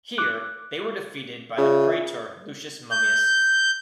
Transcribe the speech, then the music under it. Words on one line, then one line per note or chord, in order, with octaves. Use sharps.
Here they were defeated by the "praetor" Lucius Mummius.
D6 F#6
C#3 F4 D5 E5
G6